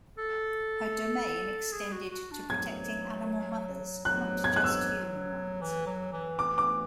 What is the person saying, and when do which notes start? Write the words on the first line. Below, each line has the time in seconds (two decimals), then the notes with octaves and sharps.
Her domain extended to protecting animal mothers, not just human ones.
0.18 A4
1.72 G#4
1.92 F#4
2.12 F#4
2.31 D4
2.50 F#3 G#6
4.05 F#3 F#6
4.44 G#6
4.56 F#6
4.64 E6
5.61 E3
5.86 F#3
6.13 E3
6.39 D6
6.58 D6